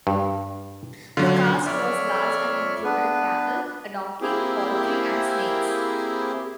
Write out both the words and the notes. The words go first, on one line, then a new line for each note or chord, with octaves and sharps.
The cast was large and included a camel, a donkey, poultry and snakes.
G2
D3 F#3 F4
F2 C#5 D5 E5 F6
B3 D4 B4
A#3 C4 E4 G4 G#4